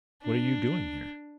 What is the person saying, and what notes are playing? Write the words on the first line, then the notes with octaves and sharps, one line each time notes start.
What are you doing here?'
D4